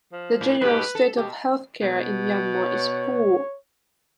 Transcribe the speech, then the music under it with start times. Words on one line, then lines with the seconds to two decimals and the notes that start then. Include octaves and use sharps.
The general state of health care in Myanmar is poor.
0.13 F3
0.41 A2
0.61 G#2 B2 G4 B4
0.95 A4
1.17 B2 G4
1.82 B2
2.58 C#5